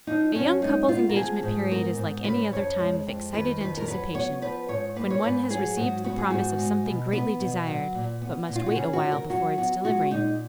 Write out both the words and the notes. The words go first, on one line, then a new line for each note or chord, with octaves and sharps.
A young couple's engagement period is like any other time of excited anticipation, when one has received the promise of something greatly desired, but must wait awhile before its delivery.
F3 D#4
F#2 C#4
G#3 D#4
D#4
B3 F4
A#4
F3 G#4
G#2
B3 A#4
G#2
C#3 B4
F2 C#5
G#3
F2
D#3 B4
F2 B4
A#4
F#3 B4
B3 C#5
F3 B4
G#2 C#5
A#3 B4
C#5
G#2 B4
F#3 G#4
G#2 F#4
B3 F#4
G#4
G#2 F#4
G#3
B2
B3 B4
B2
F#3
A#2
B3
A#2
F4
F#4
C#3 G#4
F#4
F#2
A#4
F#3 F#4
B3 F#4
G#3 F#4
A#2 D#4